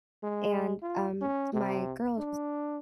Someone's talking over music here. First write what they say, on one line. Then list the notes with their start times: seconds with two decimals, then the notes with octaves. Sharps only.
and, um, my girl
0.23 G#3
0.82 F4
1.21 C#4
1.54 C3
2.18 D4